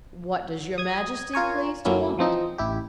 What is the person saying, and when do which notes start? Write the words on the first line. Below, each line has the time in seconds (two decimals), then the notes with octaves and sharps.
'What does Your Majesty please to want?
0.78 D#6 G#6
1.33 F4 A#4 C#5 G#5
1.85 F#2 F#3 A3 A#3 C#4 E4
2.18 E3 F3 C4 D#4
2.58 A1 E4 G4